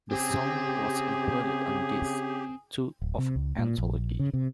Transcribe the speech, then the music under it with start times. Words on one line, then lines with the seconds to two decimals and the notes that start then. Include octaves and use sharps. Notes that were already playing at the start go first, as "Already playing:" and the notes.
The song was included on disc two of "Anthology".
0.11 C#3 C4 G4 G#4
3.01 D1
3.18 C3
3.36 C#2
3.59 A#2
3.78 A#1
4.19 C#3
4.33 C3